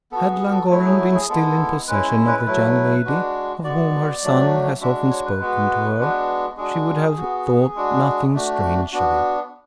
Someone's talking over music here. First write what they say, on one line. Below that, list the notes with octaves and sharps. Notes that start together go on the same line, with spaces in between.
Had Llangorren been still in possession of the young lady, of whom her son has often spoken to her, she would have thought nothing strange of it.
B3 F#4 A4
G#4
A4
F#3 A3 E4 C#5
G#4
F#4
G#4
G#3 B3 E4 A4
G#3 C#4 E4 B4
C#5
B4
F#3 A3 E4
G#3 D4 F#4
G#3 B3 F#4 D5
F#3 A3 D4 F#4
G#3 D4 F#4 E5
C#5
B4
G#3 B3 F#4
G#3 B3 D4 F#4
G#3 D4 F#4 G#4
B3 F#4
G#3 D4 F#4
A3 D4 F#4
B3 D4 F#4